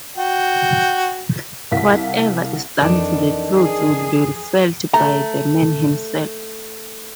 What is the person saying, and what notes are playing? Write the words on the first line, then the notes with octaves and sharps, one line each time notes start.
Whatever is done to the clothes will be felt by the man himself.
F#4 G5
C2 F5 F#5 B6
F2 D#3 E3 D4
G#4
A3 A#5